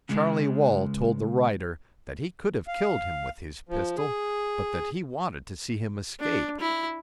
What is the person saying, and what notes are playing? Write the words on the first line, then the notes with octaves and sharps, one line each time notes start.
Charlie Wall told the writer that he could have killed him with his pistol, but that he wanted to see him escape.
C#3 G#3
F5
F3
G#4
D4
E4